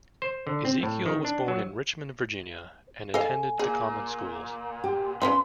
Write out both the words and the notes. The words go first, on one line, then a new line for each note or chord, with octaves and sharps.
Ezekiel was born in Richmond, Virginia, and attended the common schools.
C5
D3
C4
A2
D#3
D4
F#3
A4 D#5 F5 G#5
A#2 G#4
G4
C#4 D#4 F4 B4 C6